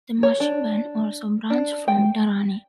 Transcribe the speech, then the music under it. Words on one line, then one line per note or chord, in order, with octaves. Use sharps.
The Musahiban also branch from Durrani.
C#5
D4
D4
G5